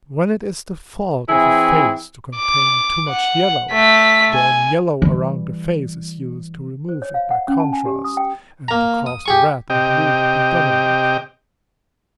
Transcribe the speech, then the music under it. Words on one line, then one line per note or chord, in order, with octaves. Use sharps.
When it is the fault of a face to contain too much yellow, then yellow around the face is used to remove it by contrast, and to cause the red and blue to predominate.
E3 C4 E4 G#4
D6
F#5
A3 B6
G#5
E3 G3
C5
C#5
F5
F#5
C#4
A5
G#5
G4
D#6
G5
A#3 A#5
D#6
G4 G#4 C#6
C3 G4 D#5 G5